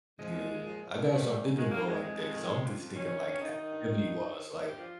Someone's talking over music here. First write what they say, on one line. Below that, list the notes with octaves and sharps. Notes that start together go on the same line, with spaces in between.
Yeah. I gotta start thinking more like that 'cause I'm just thinking, like, activity-wise. Like,
F3 G#3
A#2
A#2
F3
F3
A#2
D#3 G3
G#2
G#2
D#3 G#3
D#3 A#3
G#2 G#3
F2 G#3
F2
D#3
C3
F2
F2
D#3 C#4
G2
G2 C#4
D#3 D#4
D#3
G2
D#3
G2
G2
D#3
D#3
G2 G4
F3 F4